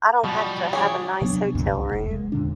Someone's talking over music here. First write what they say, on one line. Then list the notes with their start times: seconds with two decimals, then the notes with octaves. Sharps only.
I don't have to have a nice hotel room,
0.24 B2 F3 G3
0.73 D4 G#4 C#5
1.21 C3 F#3 B3 D4
1.55 C#2 F#2 A#2 D3
1.70 C2
1.93 E1
2.11 G#3
2.32 F2 A#2 D3 D4